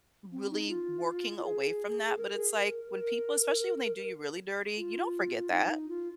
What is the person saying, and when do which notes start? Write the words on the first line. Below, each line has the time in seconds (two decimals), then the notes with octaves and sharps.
really working away from that, but it's like, when people especially when they do you really dirty, you don't forget that.
0.32 C4
0.51 D#4
0.69 F4
1.37 F4
1.44 G#4
2.18 A#4
2.36 G#4
2.55 A#4
2.92 A#4
4.78 F4
5.51 D#4
5.70 D#4
5.89 F4